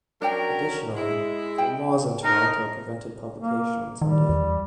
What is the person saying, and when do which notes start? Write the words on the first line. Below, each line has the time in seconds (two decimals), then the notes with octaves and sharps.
Additionally, Blue laws in Toronto prevented publication on Sunday.
0.22 F#3 C#4 D4 A#4 G5
0.95 G#3 E4
1.58 G5
2.24 D#4 A#4 A5
3.40 A#3
4.02 D#3 G3
4.29 E2